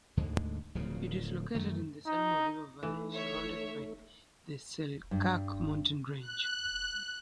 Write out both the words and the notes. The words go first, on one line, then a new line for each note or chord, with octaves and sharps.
It is located in the Salmo River Valley, surrounded by the Selkirk Mountain range.
D2 G#2 D3 G#3
D1 D2 C#3 F3
F#2 D#3 A3
D#4
E3 A3 D#4 A4
C#5 E5
G2
F#6